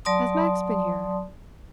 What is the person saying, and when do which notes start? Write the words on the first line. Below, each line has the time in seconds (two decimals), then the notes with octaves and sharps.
"Has Max been here?"
0.05 F#3 D5 A5 C6 D#6